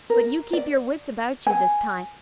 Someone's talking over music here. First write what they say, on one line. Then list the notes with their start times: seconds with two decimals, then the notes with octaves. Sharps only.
But you keep your wits about you this time.
0.10 A#4
0.53 D5
1.47 G#5